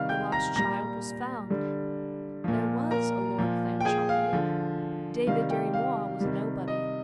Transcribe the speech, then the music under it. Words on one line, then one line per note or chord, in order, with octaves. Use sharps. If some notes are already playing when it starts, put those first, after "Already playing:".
The lost child was found. There was a Lord Clancharlie; David Dirry-Moir was nobody.
Already playing: C3 D#3 G3 F5 F6
G5 G6
A#5 A#6
A#2 G3 A#5 A#6
D3 G3
A#2 F3
A#4 A#5
A#2 F3
G5
G#4 G#5
F5
D3 F3
C3 D#3 G3 F5
G4 G5
F5
C3 D#3 G3
D#5